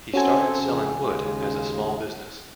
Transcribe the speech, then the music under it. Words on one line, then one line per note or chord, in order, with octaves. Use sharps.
He started selling wood as a small business.
C4 C#4 F#4 A4 G#5
F2 C#3
D#2 C#3 G#3